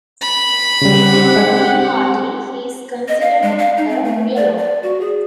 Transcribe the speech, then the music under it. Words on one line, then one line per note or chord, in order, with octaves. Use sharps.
Within the Green Party, he is considered a Realo.
B5
C#3 G3 C4 G4 F#5
G#3 D4 G#5
D#5
F5
G#3
F5
D#4
C4
A3
D5
D5
F#4
G#4